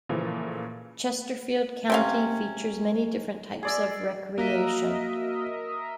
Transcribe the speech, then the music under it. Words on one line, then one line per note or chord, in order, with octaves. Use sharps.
Chesterfield County features many different types of recreation.
A#2 C#3 E3 F3 A3
C3 C#4 F5
G#4 D5 E5
A#3 F#4 A#4 D#5 E5